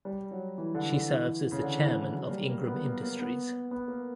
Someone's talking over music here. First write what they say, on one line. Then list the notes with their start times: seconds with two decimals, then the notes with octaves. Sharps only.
She serves as the chairman of Ingram Industries.
0.05 G3
0.31 F#3
0.58 E3
0.75 D3
0.93 D3
1.09 E3
1.52 C#3
1.62 D3
1.79 E3
1.97 E3
2.15 F#3
2.27 A#3
2.31 G3
2.49 A#3
2.67 B3
2.84 A#3
3.01 A#3
3.19 B3
3.71 B3
3.88 A#3